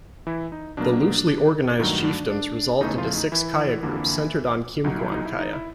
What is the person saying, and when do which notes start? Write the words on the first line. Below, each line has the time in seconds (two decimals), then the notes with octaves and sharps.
The loosely organized chiefdoms resolved into six Gaya groups, centered on Geumgwan Gaya.
0.27 E3 E4
0.52 D#4
0.77 B2 F#3 A#3 D4
1.79 G2 D#3 F#3 A3 D#4
2.04 D4
2.30 D4
2.81 E2 C#3 E3 A3 D#4
2.98 F3 F4
3.15 D#4
3.32 E3 E4
3.83 F2 D3 F3 A#3
4.84 C2 A#2 F#3 D#4
4.98 E4
5.12 D#4
5.25 E4
5.39 D#4
5.53 E4